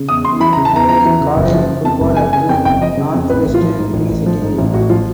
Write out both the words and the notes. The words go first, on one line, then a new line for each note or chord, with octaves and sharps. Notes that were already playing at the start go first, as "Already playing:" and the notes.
He played college football at Northwestern University.
Already playing: C#3
E2 D#6
E2 C6
E3 B5
A#5
C#3
A5
E2 A#5
E2 A#5
E3
C#3
F#1
F3
C#3
F2 A5
F#1
F3 G#5
C#3 G#5
F2 G5
F#1 G5
F3 D#5
C#3
F2
A1 B4
A1
F4
F3
G#2
A1
A1
F3
G#2
A1
A1 F#4
F3 F4